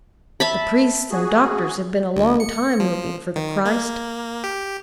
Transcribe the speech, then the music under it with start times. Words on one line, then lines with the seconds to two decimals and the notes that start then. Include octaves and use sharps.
The priests and doctors have been a long time looking for the Christ.
0.40 E5 A5 B5
1.11 F#4 G#4
2.16 D2
2.40 C#7
2.80 F3
3.36 D#3
3.65 A#3
4.44 G4